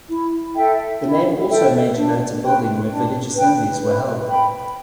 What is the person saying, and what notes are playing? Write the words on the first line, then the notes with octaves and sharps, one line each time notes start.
The name also may denote a building where village assemblies were held.
E4
A4 E5 G5
E4
A4 E5 G5
D4
B4 G5
D4
B4 G5
B4
G5 B5